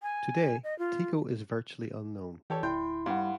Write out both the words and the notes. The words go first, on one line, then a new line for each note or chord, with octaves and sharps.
Today Teeko is virtually unknown.
G#5
D#5
F4
E3 G4 A4 C#5
D1 E4 G5 C6
G2 G3 F5 F#5